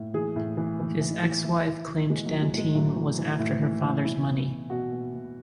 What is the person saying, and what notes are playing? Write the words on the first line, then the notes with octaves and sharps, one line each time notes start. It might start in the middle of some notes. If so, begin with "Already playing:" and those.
His ex-wife claimed Dantine was after her father's money.
Already playing: A2
E3 G#4
A2
E3
E3
E3
E3
E3 E4
E3
E3
E3 G#3
F#3
E3
G#3
A2
G#3
A2 F#3
E3
E3
A2
E3
E3
B2 E4
B2
B2
B2 F#4
B2
B2